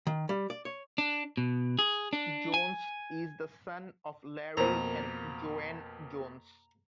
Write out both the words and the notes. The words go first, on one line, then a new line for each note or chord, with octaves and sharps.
Jones is the son of Larry and Joanne Jones.
D#3
G3
D5
C#5
D4
B2
G#4
D4
G#5
F2 B2 A#3 A#4 C5 A#5